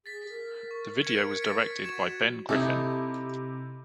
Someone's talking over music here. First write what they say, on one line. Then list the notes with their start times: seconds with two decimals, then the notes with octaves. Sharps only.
The video was directed by Ben Griffin.
0.06 G#4 A6 B6
0.29 A#4
0.71 C#6
1.03 A#4 G#6 C#7 D7
1.42 A6 B6 D7
1.84 F#4 C#6 G#6 E7
2.49 C3 D#4 E4 A4